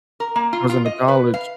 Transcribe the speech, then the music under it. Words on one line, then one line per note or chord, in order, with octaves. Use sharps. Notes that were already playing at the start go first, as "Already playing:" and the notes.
I was into college,
A#4
A#3
F4
F4
D#5
B4
F5